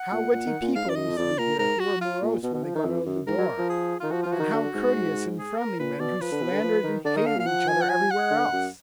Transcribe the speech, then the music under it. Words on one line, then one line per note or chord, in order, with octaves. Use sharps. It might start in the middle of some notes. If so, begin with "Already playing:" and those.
How witty people used to be here who were morose when they got out of the door; and how courteous and friendly men who slandered and hated each other everywhere else!
Already playing: F#5
A#2
A#2
D#3
A#2
G#2 F5
F#2
D5
F#2 D#5
F2
F2 D5
A#2 A#4
G#2 A#4
F#4
F4
A#2
B2
B2
F3
D#3
F2
F#2
G#2 A#4
F#3
F3
G#4
D#3 F4
F3 F#4
F3 F4
F#4
D#3
D3
G#2
G#4
A#4
A#2 B4
B2 D5
F3 B4
D3
B2
D3
F3
D#3
D3 D5
D#3 D#5
D3 F5
A#2
F5
F3 F#5
G#5
F#5
G#5
F#5
D3
F#2